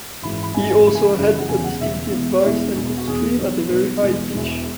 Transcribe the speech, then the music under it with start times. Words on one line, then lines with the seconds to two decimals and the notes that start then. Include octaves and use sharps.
He also had a distinctive voice and could scream at a very high pitch.
0.22 G#1 F#2 E3 G#3 B5
0.43 B5
0.55 G#1 F#2 E3 G#3 G#5
0.70 G#5
0.86 F#1 F#2 C#3 E3 G#3 B5
0.95 G#5
1.05 B5
1.18 F#1 F#2 C#3 E3 G#3
1.39 F#5
1.49 E1 E2 C#3 G#5
1.64 F#5
1.80 E1 E2 C#3 E5
2.12 E2 B2 G#3
2.44 E2 B2 G#3 E4
2.75 E1 E2 B2
2.98 F#4
3.07 E1 E2 B2 G#4
3.38 B1 B2 F#3
3.70 B1 B2 F#3 B4
4.02 E1 E2 E3 G#3
4.33 E1 E2 E3 G#3